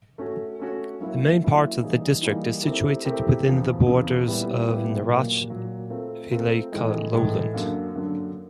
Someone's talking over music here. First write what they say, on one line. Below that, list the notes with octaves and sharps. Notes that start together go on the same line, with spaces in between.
The main part of the district is situated within the borders of Narach-Vileyka lowland.
A3 C#4 F#4
A3 C#4 F#4
F#3 A#3 C#4 E4
F#3 A#3 C#4 E4
E3 G3 A#3 D#4 G#4
E3 G3 A#3 D#4 G#4
A3 C4 E4 G4 A#4
A3 C4 E4 G4 A#4
E2 C#3 F3
E2 C#3 F3
A#2 G3 B3 E4 G4
A#2 G3 B3 E4 G4
A#2 F#3 A#3
A#2 F#3 A#3
A3 C4 F4 A#4
A3 C4 F4 A#4
A2 E3 G#3
A2 E3 G#3
F#2 D3 F#3 A#3
F#2 D3 F#3 A#3